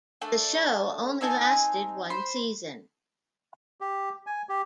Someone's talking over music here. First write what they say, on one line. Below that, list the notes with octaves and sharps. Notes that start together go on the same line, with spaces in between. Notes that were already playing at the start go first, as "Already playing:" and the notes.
The show only lasted one season.
A3 D4
C4 D#4 G#5 A5
C5 B5
G4
G#5
G4